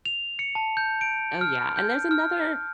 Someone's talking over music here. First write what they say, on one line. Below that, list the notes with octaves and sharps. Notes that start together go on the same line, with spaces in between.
Oh yeah, and there's another,
F7
C#7
A5
G6
D7
F6
G6
F6